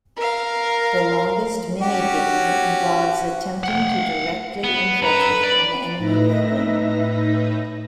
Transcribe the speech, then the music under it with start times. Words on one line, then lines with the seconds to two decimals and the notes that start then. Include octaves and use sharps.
The longest mini-game involves attempting to directly infiltrate an enemy building.
0.16 A#4 F5
1.81 C#4 F#4 G4
3.63 F#5 G5
4.64 B3
5.02 F#2 B4 A#5
5.44 D5
5.98 A2 D#4 B4 E5 A#6